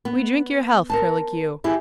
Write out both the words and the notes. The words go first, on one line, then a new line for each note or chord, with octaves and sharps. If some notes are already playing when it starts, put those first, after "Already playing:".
'We drink your health, Curlicue.
B3
A#4 C5 A5
E4 G4 G#4